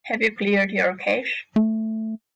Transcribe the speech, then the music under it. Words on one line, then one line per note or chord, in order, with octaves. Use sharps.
Have you cleared your cache?
A3